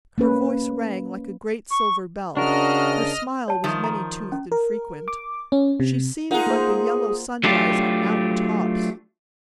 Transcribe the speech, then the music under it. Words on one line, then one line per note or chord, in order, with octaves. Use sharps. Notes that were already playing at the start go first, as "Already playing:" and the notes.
Her voice rang like a great silver bell; her smile was many-toothed and frequent; she seemed like a yellow sunrise on mountain tops.
A#3 C#4 B4
C#6
C#3 D4 F#4 A#4 D#5 F6
C#5 A5
D#3 F3
A#5
C#4
A#4
D6
C#4
C3
D#4 F4 G#4 A#4 F#5
A#3 C5
F#3 A3 D4 F4 G4